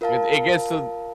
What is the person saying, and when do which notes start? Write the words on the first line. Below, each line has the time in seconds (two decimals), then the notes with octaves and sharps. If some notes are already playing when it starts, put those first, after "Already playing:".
It it gets to
0.01 F4 A#4 F5 A5